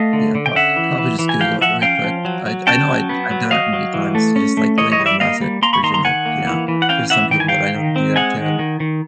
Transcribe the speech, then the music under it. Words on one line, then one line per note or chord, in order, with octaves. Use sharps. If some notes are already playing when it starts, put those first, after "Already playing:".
Yeah, prob probably just Google it really quick. I'd I know I'd I've done it many times just, like, leaving a message and then, yeah, there's some people that I know that do that too.
Already playing: A3 D#5 F5
D3
D3
G5
C#4 E5 F#5
E3
E3
E3
G#5
F3 F5 G5
F3 E5 F#5
C#4 F5 G5
F3
F#3
F#3
C#4 G5 A5
F#3
B3
F#3
F#3 D#5 F5
F#3
E3
A3
C#4
A3
E3 C#5 D#5
C#5 D#5
G3
D5 E5
A#3 D#5 F5
G3
A#3 A#5 C6
B5 C#6
D#3 A#5 C6
A#5 C6
D#3 F#5 G#5
A#3
E3
E3
F#5
C#4 F5 G5
E3 E5 F#5
D#3 G5
G#5
D#3 F5 G5
D#3
C4
G#3 F#5 G#5
D#3
D#3
D#3